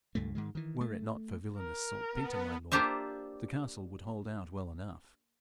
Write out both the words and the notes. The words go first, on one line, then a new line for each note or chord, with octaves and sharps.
'Were it not for villanous saltpetre, my lord, the castle would hold out well enough.'
C#2 G2 A#2 A3
G#2 D#3 G#3
D#3 E3
A3
A#4
B3
A#3 D4 F4 G4 C5 E5